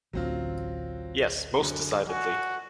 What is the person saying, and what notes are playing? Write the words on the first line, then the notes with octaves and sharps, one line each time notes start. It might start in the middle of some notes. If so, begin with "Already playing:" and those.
Yes, most decidedly.
A1 D2 F#3 C4 F4
F#2 D3
F#4 G#5